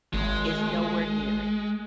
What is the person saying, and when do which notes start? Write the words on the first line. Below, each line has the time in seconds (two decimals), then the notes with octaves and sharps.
is nowhere near it.
0.14 G#1 G#3